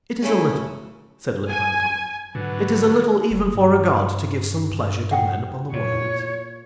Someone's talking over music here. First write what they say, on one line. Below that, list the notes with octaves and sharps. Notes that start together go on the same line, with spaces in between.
"It is a little," said Limpang-Tung, "it is a little even for a god to give some pleasure to men upon the Worlds."
C#3 A3 C#4 E4
G#5
G#2 D3 F#3 F#4 B4
F1
G2
F#5 G5 D#6
A#2 C#5